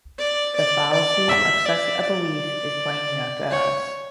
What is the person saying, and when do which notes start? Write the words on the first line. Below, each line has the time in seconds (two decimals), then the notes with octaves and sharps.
The fallacy of such a belief is plain enough to us.
0.18 D5
0.56 D5
0.93 D5
1.29 E5
1.66 D5
2.02 D5
3.50 C#5